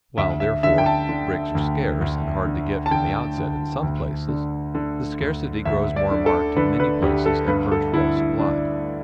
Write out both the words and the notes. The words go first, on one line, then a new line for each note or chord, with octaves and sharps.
While, therefore, bricks are scarce and hard to get from the outset in some places, the scarcity grows more marked in many places at first well supplied.
D2 E5
E5
D3 E5
G5
A5
D3
D2
D2
D3
A5
D3 G5
D2
D2
D3
D3
D2
D2 E5
D5
D3
A4
D3 B4
B4
D2 G4
A4
G2 B4
A4
D3 E4
E4
D3 D4